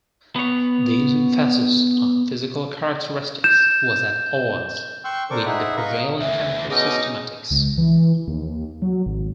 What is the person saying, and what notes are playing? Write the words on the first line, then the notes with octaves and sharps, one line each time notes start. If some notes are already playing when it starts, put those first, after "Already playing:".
This emphasis on physical characteristics was at odds with the prevailing chemical systematics.
B3 C#5
G6 E7
G5 C6 C#6 E6 F#6
D4 A4 A#4 C5 C#6 D6
D#4 G#4 E5 F#5 B5
B4 D#5 F5 A#5 B5 C#6
D2 E3 E5
B2 C#4 D#4 G#4 D#5 D6
C#2
E3
D#2
F#3
G#1